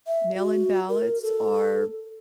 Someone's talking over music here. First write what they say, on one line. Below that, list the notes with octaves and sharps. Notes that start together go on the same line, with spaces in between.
mail-in ballots are
E5
F#4
A#4
A4